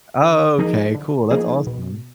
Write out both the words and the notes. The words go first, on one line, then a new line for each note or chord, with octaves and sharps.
Oh, okay, cool. That's awesome.
D3
F3 A#3 D#4 G#4
D3
F3 A#3 D#4 G#4
B2